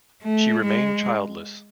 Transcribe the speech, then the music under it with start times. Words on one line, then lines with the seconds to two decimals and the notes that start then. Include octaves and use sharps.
She remained childless.
0.23 A3
0.63 G#3